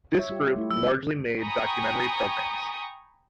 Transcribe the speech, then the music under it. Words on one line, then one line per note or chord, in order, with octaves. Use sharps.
This group largely made documentary programmes.
C#5 E5
G3 F4 G4
A3 E4
F#3 E6
G5 G#5 A#5 B5 C#6 D#6